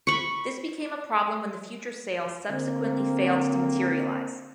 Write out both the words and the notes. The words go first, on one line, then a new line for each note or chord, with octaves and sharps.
This became a problem when the future sales subsequently failed to materialize.
B5 C#6
D3 A#3 C4